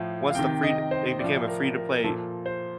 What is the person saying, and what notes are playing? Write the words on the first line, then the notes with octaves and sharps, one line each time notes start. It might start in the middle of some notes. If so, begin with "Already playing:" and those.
once the free it became a free-to-play
Already playing: A2 F3
F5
C3 D#3 G5
D#5
C5
A2 F3 D5
A#4
A#4
A#2 F3 A4
C5